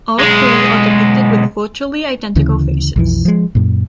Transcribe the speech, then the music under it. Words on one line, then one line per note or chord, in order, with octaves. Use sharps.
All three are depicted with virtually identical faces.
B1 G#3
D2 C#3 E3
B1 F2 E3
F3 G#3
F#2 A#2